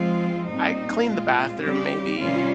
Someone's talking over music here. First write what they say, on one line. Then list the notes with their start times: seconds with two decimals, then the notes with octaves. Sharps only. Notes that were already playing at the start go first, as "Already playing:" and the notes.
I clean the bathroom maybe,
Already playing: F3 G#3 C4 F4
0.48 A#2 G3 C4 D#4
1.04 A#2 G#3 C4 F4
1.61 C#3 G3 C4 G4
2.17 C3 D#3 G3 C#4 F4